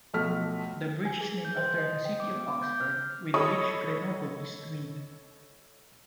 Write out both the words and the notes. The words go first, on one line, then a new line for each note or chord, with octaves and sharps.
The bridge is named after the city of Oxford, with which Grenoble is twinned.
B1 F3 A3 F6 B6
G#5
G#4
G6
C5
D#5
G5
D6
B3
D6
G6
F6
A4 C#5 D#5 B5 C#6 D#6